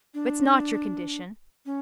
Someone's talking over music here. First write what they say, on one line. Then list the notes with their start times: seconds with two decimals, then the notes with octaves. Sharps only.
It's not your condition.
0.14 D4
1.66 C#4